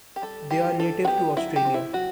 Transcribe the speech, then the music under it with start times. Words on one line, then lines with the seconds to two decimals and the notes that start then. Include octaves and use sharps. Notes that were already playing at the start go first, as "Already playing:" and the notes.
They are native to Australia.
0.16 G4
0.22 G3 A4
0.51 G3 G4
0.80 D4 A4
1.05 F#4
1.07 B3 G4
1.37 F#3 E4
1.56 G4
1.65 C4
1.74 E4
1.93 F#3 F#4